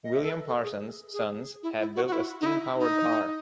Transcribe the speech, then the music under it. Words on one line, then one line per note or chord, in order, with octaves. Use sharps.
William Parsons' sons had built a steam-powered car.
D#5
E5
A4
B4
A4
G#4
G#4
E4
E4
F#4
F#4
E4
D#4
E4
D#4